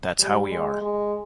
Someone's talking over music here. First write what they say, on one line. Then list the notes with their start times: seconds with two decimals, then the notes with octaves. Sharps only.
That's how we are.
0.19 G3
0.51 G#3
0.81 G#3